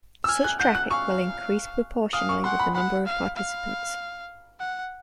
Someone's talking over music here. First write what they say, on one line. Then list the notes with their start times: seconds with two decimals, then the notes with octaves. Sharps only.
Such traffic will increase proportionally with the number of participants.
0.24 E6
0.28 G#5 F6
0.44 F#6
0.60 F#5 G6
0.75 F#6
0.90 F5 C#6
2.13 F5 D#6
2.29 C#6
2.44 F#5 C6
2.59 B5
2.75 F#5 B5
3.06 F5
3.37 F5
4.60 F#5